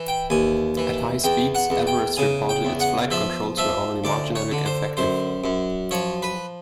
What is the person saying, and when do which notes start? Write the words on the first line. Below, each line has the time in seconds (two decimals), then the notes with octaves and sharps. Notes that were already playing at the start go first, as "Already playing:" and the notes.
At high speeds, Everest reported its flight controls were only marginally effective.
Already playing: E3
0.08 G5
0.30 D#2 G#5
0.77 E3
1.24 E2 G5
1.55 F#5
1.70 E2
1.87 G5
2.17 C#3 G#5
2.49 G5
2.65 E2
2.80 F#5
3.11 F3 E5
3.57 F3 E5
4.04 D2 D5
4.35 C#5
4.51 D3
4.66 C5
4.97 F#2 C5
5.44 F#2
5.91 F3 C#5
6.23 B4